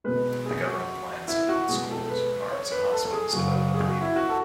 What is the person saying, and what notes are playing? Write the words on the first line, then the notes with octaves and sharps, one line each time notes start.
The government plans to build schools, parks, and hospitals to benefit the people.
B2 G#3 B4
G#4
F#4
E4
F#4
B2 G#3 G#4
A4
B4
C#5
B4
A4
G#4
F#2 C#3 F#3 F#4
F#4
G#4
F#4
E4
F#4
A4